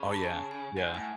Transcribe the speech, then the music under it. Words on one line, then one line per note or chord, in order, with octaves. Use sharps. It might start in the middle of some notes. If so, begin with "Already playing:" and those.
Oh, yeah. Yeah.
Already playing: C#3
A5
G#5
G#5
G#2 F#5
A2 G#5